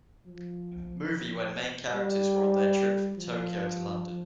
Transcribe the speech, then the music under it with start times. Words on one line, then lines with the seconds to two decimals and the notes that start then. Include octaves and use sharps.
Movie when main characters were on their trip from Tokyo to London.
0.27 F3
1.93 G3
3.18 F3